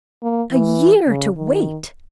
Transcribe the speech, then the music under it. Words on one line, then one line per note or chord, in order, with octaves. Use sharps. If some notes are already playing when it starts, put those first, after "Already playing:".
A year to wait!
A#3
E3
C#3
D#3